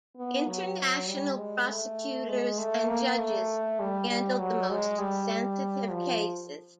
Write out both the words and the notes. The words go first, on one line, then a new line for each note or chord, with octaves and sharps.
International prosecutors and judges handled the most sensitive cases.
B3
F#3
G3
G#3
A3
G#3
A3
A#3
A3
G3
G3
F#3
G#3
G3
F3